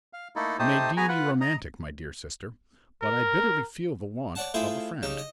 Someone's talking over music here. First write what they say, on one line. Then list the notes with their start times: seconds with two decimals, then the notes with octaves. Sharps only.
You may deem me romantic, my dear sister, but I bitterly feel the want of a friend.
0.13 F5
0.36 A3 A#3 D#4 E4 A4
0.59 A3 D#4 G4 C5 A5 D#6
0.97 B3 F#4 G#4 B4 G#5 A#5
1.09 F4 B4 F#5
1.41 D#5 A#5
3.01 A#4
4.35 C#5 D5 F#5 A5
4.54 A3 E4 F4 G#4 C5
5.03 C#3 D#4 G4
5.18 D#5